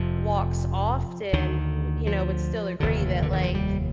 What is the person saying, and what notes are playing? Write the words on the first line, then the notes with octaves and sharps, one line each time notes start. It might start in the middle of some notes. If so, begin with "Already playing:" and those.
walks often, w you know, would still agree that, like
Already playing: F1 F2 C3 F3
D2 D3 D#3
F3
F1 D#2 D3
D3
D#3
F3
G3